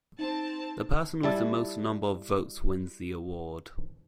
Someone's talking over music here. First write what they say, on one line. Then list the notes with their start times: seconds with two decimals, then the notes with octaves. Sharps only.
The person with the most number of votes wins the award.
0.19 C4 D#4 A5
1.23 G3 E4 A5